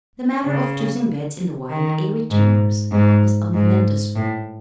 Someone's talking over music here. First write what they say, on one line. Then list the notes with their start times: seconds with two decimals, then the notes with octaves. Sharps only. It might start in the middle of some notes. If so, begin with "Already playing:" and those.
The matter of choosing beds in the wide, airy chambers was a momentous one.
0.45 C#3
1.69 D#3
2.31 G#2
2.92 G#2
3.54 G#2
4.15 A2